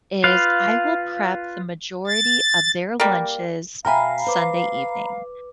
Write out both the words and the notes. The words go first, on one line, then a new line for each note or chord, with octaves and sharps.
is I will prep the majority of their lunches Sunday evening.
F4 B4 F5
A6
G3 A#3
B2 E5 F5 G5 G#5 A#5 B5 F6
B4 C5 D6